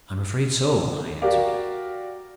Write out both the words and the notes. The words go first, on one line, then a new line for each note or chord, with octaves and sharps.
"I'm afraid so," I answered.
F#4 G4 A#4 D5 F5 D6